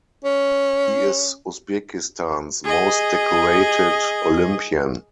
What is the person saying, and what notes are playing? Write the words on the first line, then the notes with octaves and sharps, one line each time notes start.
He is Uzbekistan's most decorated Olympian.
C#4
G#4 D#5